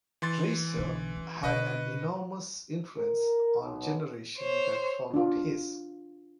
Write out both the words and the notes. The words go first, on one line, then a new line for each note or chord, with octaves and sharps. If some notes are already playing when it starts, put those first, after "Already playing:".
Dreiser had an enormous influence on the generation that followed his.
E3 C6 A6
B1 D3
F#2
B2 D3 B4 D#5 C#6
A#4
B1
C5 C#5
D4 F4